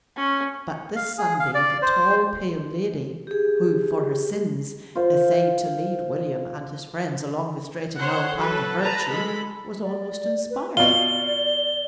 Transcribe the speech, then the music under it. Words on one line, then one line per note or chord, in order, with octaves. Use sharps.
But this Sunday the tall, pale lady who, for her sins, essayed to lead William and his friends along the straight and narrow path of virtue, was almost inspired.
C#4
F5
G#4
F5
D5
C5
G4 G#4
F4 C5
C5 C#5 F#5
F#3 A4 B4
B4 A5 A#5
G#3 A4 B5
D5
B4
B2 F4 D5 G7